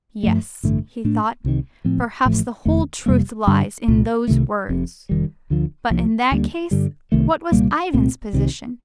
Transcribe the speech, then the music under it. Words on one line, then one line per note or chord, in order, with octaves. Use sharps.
"Yes," he thought, "perhaps the whole truth lies in those words." But in that case what was Ivan's position?
G2 F3 A3
A1 G2 D3 A3
A2 A3 D4
C2 C3 D#3
A2 F3 C4
A1 A2 F3 A3
F1 F2 D#3 A3
F2 C3 G3 A#3
G2 D3 G3
C2 A#2 A3
C2 C3 D#3 A3
F1 F2 C3
F1 D#2 D#3 G3
D2 D3 F3
C2 C3 F3 A#3
D2 D3 G3 A#3
G2 D3 G3
C2 C3 D#3 A3
C2 A#2 G3 A#3
C2 A#2 A3 C4
C2 C3 D#3